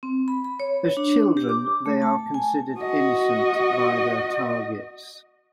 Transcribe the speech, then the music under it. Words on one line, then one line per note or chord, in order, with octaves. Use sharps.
As children, they are considered innocent by their targets.
C4
B5
B5
C#5
D4
G4
D6
A3
A5
G#5
F#4 D#5